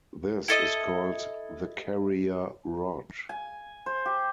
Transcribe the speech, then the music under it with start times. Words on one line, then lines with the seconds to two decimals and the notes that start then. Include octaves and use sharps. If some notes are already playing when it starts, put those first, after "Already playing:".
This is called the carrier rod.
0.48 E4 A4 D#5
3.29 G#5
3.86 C5
4.06 G4